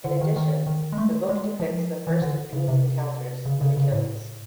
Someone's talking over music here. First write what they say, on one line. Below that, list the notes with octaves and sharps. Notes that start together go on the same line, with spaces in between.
In addition, the book depicts the first of Bean's encounters with Achilles.
D3
D#3
D#3
D#3
G#3
A3
G#3
F3
E3
D3
C#3
C3
C#3
C#3
C#3
A2